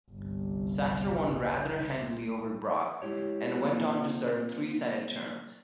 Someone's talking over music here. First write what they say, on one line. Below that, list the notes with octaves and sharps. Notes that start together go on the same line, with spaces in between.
Sasser won rather handily over Brock, and went on to serve three Senate terms.
G1 C2
G#3 E4 G4 C#5
A#3 C4 F4 A4